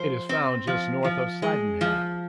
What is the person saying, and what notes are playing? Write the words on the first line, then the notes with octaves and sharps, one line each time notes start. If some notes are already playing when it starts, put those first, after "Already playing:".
Its found just north of Sydenham.
Already playing: F3 C5
C4
F3
F3
G#3
F3